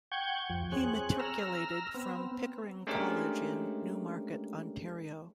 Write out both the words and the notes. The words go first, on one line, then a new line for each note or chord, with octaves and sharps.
He matriculated from Pickering College in Newmarket, Ontario.
F#5 G5 C#6 G6 G#6
F2 F3
C4 G#4 C#5 F#6
A#5 E6 F6
B3 C4
G#3 A3 C#4 D4 G4 A#4